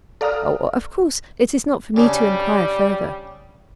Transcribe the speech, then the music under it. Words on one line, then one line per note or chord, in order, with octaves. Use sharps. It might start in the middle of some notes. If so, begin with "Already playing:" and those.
"Of course it is not for me to enquire further."
A4 D5 F5 A#5 D#6 F6
C#3 G3 D4